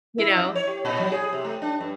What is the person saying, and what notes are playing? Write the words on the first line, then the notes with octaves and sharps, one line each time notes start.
you know?
E4
F2
C#5
G4
A#2
F#3
G#4
C3
A3
D4
G2